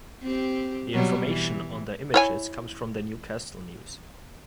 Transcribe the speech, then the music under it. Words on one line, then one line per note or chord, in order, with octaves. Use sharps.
The information on the images comes from the New Castle News.
C4 G4
B2 F#3 G3
E3
E4 C#5 G#5